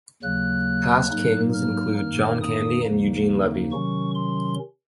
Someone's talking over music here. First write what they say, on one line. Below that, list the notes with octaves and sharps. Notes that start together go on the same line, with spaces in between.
Past Kings include John Candy and Eugene Levy.
D#2 C#3 F#3 A#3 F#6
G#2 F#3 A#3 D#4
F6
F#2 D#3 A#3 D#4 F6
D#6
D#2 C#3 F3 A#3 D#4
C3 D#3 F#3 C#4 C#6
C6